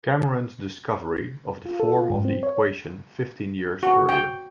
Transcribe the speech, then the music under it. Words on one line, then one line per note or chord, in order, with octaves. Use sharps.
Cameron's discovery of the form of the equation fifteen years earlier.
F4
A4
F4
G#2
C4
C#5
F#4
G5